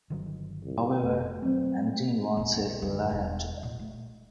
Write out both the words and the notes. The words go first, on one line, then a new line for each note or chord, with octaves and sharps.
However, Andine won't sell Eliar to them.
G1 D#3 F#3
C2
F1 A3
F#3 A3 C4
D#1 C#4
A#1
F#2 D3
E1
A#2
A3